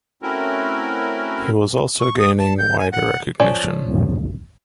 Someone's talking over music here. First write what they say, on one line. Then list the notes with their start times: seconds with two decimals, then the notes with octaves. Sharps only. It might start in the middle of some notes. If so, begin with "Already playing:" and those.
He was also gaining wider recognition.
0.22 A3 C4 C#4 E4 F#4 A#4
2.00 C#6
2.19 D#6
2.39 A5
2.58 G6
2.79 G#5
2.92 F#5
3.40 F3 C#4 D5